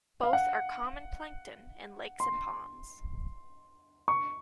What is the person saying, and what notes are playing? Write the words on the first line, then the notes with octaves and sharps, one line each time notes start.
Both are common plankton in lakes and ponds.
F5
F#5
C6
C#6